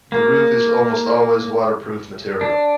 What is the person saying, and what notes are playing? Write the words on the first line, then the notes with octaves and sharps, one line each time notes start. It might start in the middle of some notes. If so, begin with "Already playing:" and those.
The roof is almost always waterproof material.
A#3
D4